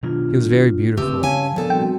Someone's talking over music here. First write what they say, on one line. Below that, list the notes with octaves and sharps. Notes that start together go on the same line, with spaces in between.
He was very beautiful.
B2 D#3 F#3 D4 F4
D1 C#3 A3 C4 G4 B4 E6
G2 C#3 C#4 F5 G#5 A5
A#2 F3 B3 D4 A4
G3 C4 F#4 G5